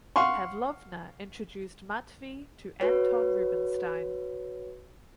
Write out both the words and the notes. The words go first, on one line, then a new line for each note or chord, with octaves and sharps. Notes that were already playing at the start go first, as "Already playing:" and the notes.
Pavlovna introduced Matvei to Anton Rubinstein.
F5 F#5 C6 C#6
F#4 B4 C#5